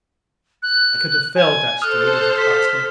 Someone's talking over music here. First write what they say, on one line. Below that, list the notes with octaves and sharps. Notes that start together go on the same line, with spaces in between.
I could have felled that steward as he passed me.
F#6
G#5
A4 C5 D#6 F6 F#6
B6